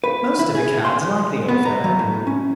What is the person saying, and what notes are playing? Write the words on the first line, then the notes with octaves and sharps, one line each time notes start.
Most of the Cads like the Old Fellow.
B4
E4
G#4
C6
B3
A#5
F#3
A2
C#4